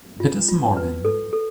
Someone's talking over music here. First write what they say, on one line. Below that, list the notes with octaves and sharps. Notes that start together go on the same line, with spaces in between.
It is morning.
F4
F4
B4
A4
A4